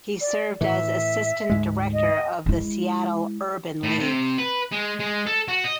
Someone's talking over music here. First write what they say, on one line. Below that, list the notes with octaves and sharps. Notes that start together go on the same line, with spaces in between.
He served as Assistant Director of the Seattle Urban League.
D5
A2 E3 E5
D2 G#2 G#3
D#5
G#3 E4
A2
C3
B4
G#3
G#3
A4
F#4
D#5